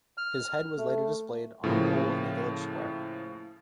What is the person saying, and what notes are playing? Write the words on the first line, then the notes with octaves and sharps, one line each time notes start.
His head was later displayed on a pole in a village square.
F6
A3
A2 C#3 F3 A#3